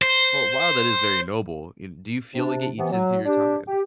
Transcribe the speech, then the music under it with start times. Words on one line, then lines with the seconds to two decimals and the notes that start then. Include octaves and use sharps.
Well, while that is very noble, in do you feel like it eats into your time?
0.02 C5
2.34 C3 D4
2.77 C3 E3 B3
2.91 F#3
3.26 D4 G4
3.67 G4